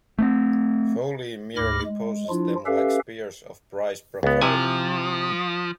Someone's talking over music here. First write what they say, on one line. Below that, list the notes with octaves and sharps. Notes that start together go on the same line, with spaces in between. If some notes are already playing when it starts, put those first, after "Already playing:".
Foley merely poses them like spears of prize broccoli.
A3 B3 C4
D2 G#2 B5 D6 F6 A#6
G#3
F3 D4 E4 F4
C#4 G4 A4 B4 E5 F5
C#2 B3
C3 F3 E4 G#5